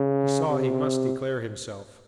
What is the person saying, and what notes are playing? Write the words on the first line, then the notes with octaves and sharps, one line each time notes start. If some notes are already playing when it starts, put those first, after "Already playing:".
He saw he must declare himself.
Already playing: C#3
C3